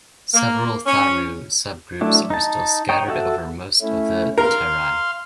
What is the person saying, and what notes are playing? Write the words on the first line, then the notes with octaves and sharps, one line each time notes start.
Several Tharu subgroups are still scattered over most of the Terai.
A#3
C#4
F#3 A3 D4 E4
D#4 A5
D#4 C#5 G5
F#4 A4 E5
A3 C#4 E4
A#4 F5 C6 F6